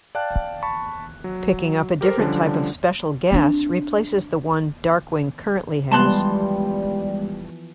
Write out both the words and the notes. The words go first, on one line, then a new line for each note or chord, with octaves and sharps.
Picking up a different type of special gas replaces the one Darkwing currently has.
D5 F5 G5 A5 F#6
A5 B5 C#6
F#3
G4 A4 A#4 C5
D3 F3 G3 C#4 D4
C4 D4
E3 F3 G3 G#3 B3 A5 C6 F#6